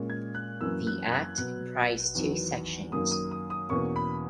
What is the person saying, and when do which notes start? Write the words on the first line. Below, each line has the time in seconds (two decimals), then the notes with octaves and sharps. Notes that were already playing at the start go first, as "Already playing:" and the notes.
The Act comprised two sections.
Already playing: A#2 G#3 C#4
0.10 G#6
0.35 F#6
0.61 F#2 E3 A#3 C#4 E6
0.87 F#6
1.05 G#6
1.12 F#6
1.38 B2 F#3 B3 F#6
2.15 E2 D#3 F#3 B3
2.92 F#2 D#3 A#3 D#6
3.11 D#6
3.31 D#6
3.50 D#6
3.70 E2 B2 A#3 C#4 C#6
3.96 B5